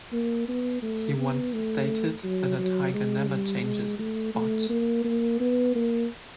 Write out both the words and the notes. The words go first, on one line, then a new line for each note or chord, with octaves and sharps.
He once stated that a tiger never changes its spots.
A#3
B3
A3
B3
A3
F#3
F#3
G#3
G3
G#3
A3
A3
A#3
A#3
B3
A#3